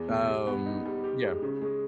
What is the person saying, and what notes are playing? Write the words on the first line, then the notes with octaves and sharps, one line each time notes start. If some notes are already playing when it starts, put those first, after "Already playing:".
Um, yeah.
Already playing: E2
B2
G3
B3
D#4
G3
G4
G#3
C#3
G#3